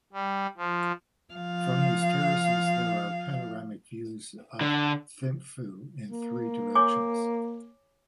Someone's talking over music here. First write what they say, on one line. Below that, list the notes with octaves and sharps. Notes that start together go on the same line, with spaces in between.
From these terraces there are panoramic views of Thimphu in three directions.
G3
F3
F3 F5
D3
A#3
C#5 G#5 D6